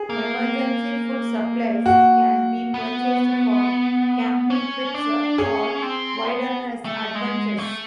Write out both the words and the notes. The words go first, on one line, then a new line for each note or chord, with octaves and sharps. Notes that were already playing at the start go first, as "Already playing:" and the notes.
Emergency food supplies can be purchased for camping trips or wilderness adventures.
Already playing: G#4
A#3
F#4
B3
C#4
D4
C#4 G#4
C4
B3
A3
G#3
A3